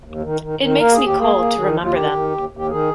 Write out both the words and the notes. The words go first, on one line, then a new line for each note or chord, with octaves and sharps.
It makes me cold to remember them.
D#2
D#3
D#3
D#3
A#3 A#4
G#4
D#2
G4
A#3 G#4
A#3
D#3
D#2
F4
D#3 G4
D#3
D#2
D#2
G4
D#3 G#4